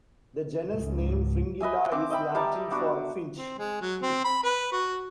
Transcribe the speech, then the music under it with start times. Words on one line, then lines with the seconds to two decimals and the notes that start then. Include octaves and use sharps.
The genus name "Fringilla" is Latin for "finch".
0.70 C#2 G#2
1.60 B4 D#5 E5 G#5
1.92 C4 D6
2.10 D#5 E5 G5 B5
2.35 G3 A5 A#5
2.71 B3 D4 F#4
3.36 C4
3.59 G#3
3.81 F#3
4.02 C4
4.25 B5
4.43 B4
4.72 F#4